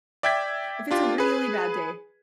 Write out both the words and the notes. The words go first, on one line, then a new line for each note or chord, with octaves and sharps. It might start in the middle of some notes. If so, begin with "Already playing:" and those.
If it's a really bad day
D5 E5 G5 E6 G#6 B6
D4 F4 G4
G#4 B4